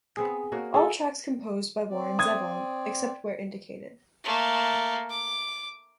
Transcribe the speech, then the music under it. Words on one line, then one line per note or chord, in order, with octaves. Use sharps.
All tracks composed by Warren Zevon, except where indicated.
B3 C4 G#4
A#3 F#4 A#4 C#5
G#4 A4
C4 D5
D#6 G#6
A3 A#3
D6